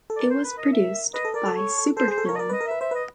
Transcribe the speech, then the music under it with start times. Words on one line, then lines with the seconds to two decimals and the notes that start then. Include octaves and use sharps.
It was produced by Super-Film.
0.10 A4
0.16 A#4 D5
0.30 C5
0.44 B4
0.58 D#5
0.72 E5
1.14 B4 D#5
1.25 A4
1.34 A#4 D5
1.46 A4
1.56 C#5
1.97 A4 C5
2.08 G#4 C5
2.18 A4
2.25 A#4 C#5
2.35 D#5
2.39 A#4 D5
2.49 B4 D#5
2.61 A#4
2.67 B4 E5
2.81 C5 E5
2.91 B4 D#5